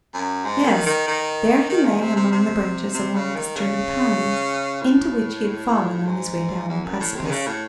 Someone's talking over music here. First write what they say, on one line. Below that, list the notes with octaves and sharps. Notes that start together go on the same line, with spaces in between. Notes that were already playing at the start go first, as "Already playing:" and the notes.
Yes, there he lay among the branches of one of the sturdy pines, into which he had fallen on his way down the precipice.
F#2
G#2
D#3
D#3
D#3
D#3
E2
C3
C3
C3
C3
C#3
D#3
C#3
A2
G#2
E2
F#2
A2
C3
D#3
C#3
A2